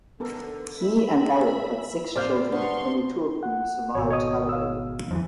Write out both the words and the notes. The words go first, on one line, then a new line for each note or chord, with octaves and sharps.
He and Ellen had six children, only two of whom survived to adulthood.
D3 B3 A4 A#4
E5 B5
C3 A#3 C5 D5 F5 F6 G6
B3 D4 F5 C6 C#6
F#5
G#1 B2 C#5
C#5 D#5 D#6
F5 E6
F2 D#3 E3